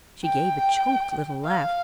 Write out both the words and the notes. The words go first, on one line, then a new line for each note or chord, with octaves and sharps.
She gave a choked little laugh.
G5
F5